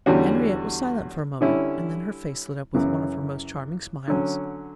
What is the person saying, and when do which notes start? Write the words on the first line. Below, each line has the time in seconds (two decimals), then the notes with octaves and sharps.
Henriette was silent for a moment, and then her face lit up with one of her most charming smiles.
0.06 E2 D3 G3 C#4 F#4
1.41 D3 G3 C#4 E4
2.74 F#2 C#3 E3
4.08 D3 F#3 C#4